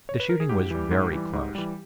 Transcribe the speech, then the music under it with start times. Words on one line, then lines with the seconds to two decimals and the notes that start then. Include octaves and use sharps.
The shooting was very close.
0.09 C#5
0.20 B4
0.29 A#4
0.40 G#4
0.49 G#2 G4
0.71 E3 G3
0.91 G#2
1.13 E3 G3
1.33 G#2
1.55 E3 G3